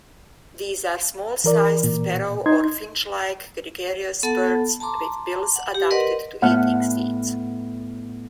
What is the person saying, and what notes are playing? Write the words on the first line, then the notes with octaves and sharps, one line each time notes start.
These are small-sized, sparrow- or finch-like gregarious birds, with bills adapted to eating seeds.
E3 A#4 D5
A#2
D#4 C6 G#6
B3 A4 F#5 A5
A5 A#5 C6 D6
F#5
G4
A#4 B4 D5 D#5 F#5 C6
A2 B3 F#5 F6